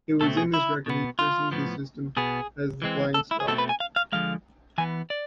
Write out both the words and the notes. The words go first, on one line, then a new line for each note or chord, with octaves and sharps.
It was in this record he christened the system as the "Flying Star".
B2 A3 C4 A4
G#4
E4
B2 B3
F4
A2 F3 B3
B2 B3 G#4
E3 G#3 C4
A4
E4
G#4
B2 A3 C4 A4
B4
G#5
F5
F5
D3 F3 G#3 F5
E3 B3 G#5
D5